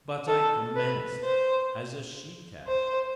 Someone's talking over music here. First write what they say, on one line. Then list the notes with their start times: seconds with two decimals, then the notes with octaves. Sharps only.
"But I commenced as a she-cat."
0.28 A4
0.76 B4
1.24 C5
2.67 C5